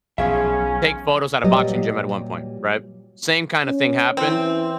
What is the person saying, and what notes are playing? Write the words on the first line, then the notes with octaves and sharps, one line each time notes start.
take photos at a boxing gym at one point, right? Same kinda thing happened.
B1 F3 C#4 G#4 E5 F5
A#2 F#3 G3 G4 B4 D#5
C#4
E3 C4